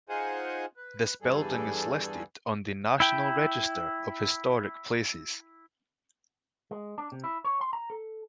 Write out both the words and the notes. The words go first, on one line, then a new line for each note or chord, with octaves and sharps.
This building is listed on the National Register of Historic Places.
D#4 F4 G#4 C5 F#5 G#5
B4
E2 G2 G3 G#4 A4
E4 G5
G#3
D4
C3
E4
C#5
C6
A#5
A4